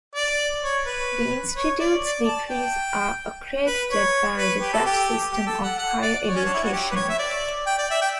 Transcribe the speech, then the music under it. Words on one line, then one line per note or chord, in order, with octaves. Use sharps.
The institute's degrees are accredited by the Dutch system of higher education.
D5
C#5
B4
C#5
D5
D5
A5
G5
B4
C#5
B4
G4
A4
G4
G4
A4
F#5
F#5
D5
C#5
C#4
D4
E4
F#4
G4
B4
C#5
E5
D5
G5
D5
E5
G5